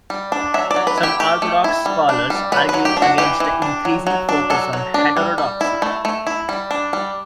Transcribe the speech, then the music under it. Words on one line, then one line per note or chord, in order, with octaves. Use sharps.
Some orthodox scholars argue against the increasing focus on heterodoxy.
G3
D4
F#3 E5
D5
F#3
B4
E4
G4
A3 G4
A3
E4
G3
D4
G3
F#3 B4
B4
F#3
G4
D4
F#4
E3 G4
E3
D4
F#3
F#3
D4
F#3 A4
F#3
D4
G3
G3
E4
A3
A3
E4
G3
D4
G3